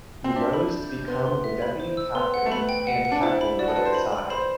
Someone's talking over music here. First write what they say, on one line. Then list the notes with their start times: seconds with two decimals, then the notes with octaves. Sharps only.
He rose to become the deputy captain and captain of the side.
0.24 C4
0.36 D4 E5
0.53 B5
0.71 G6
0.90 G6
1.07 B3 C6
1.26 C6
1.44 E5
1.62 B5
1.80 C5
1.97 E6
2.15 B3 C6
2.34 F#5
2.46 A3
2.51 B3 B5
2.69 G5
2.87 F#5
3.05 F#5
3.12 D4
3.22 E4 C5
3.41 B5
3.59 F#4 D5
3.68 A4
3.76 B4 D5
3.85 C5
3.95 B5
4.12 B5
4.30 C5 B5